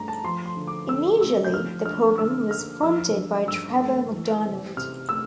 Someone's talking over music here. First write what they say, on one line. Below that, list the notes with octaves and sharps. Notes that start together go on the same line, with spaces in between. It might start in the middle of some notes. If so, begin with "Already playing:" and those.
Initially, the programme was fronted by Trevor McDonald.
Already playing: G2 A3 D4 A#5
A5
F3 C6
C6
D3
D6
D3 E6
A3 E6
G6
F3 F6
D4 F6
D3 E6
A#3 F6
F3 E6
D4
G2 E6
A3
E3
C4
C3 F6
A3 E6